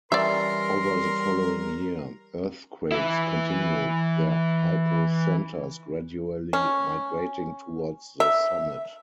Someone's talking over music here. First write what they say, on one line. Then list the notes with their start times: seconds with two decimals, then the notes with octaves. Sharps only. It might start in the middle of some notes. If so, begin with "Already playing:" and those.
Over the following year, earthquakes continued, their hypocentres gradually migrating towards the summit.
0.12 E3 G3 C#4 A#4 D5 E5 C6
2.92 E3 E4
6.53 C#4
8.20 E5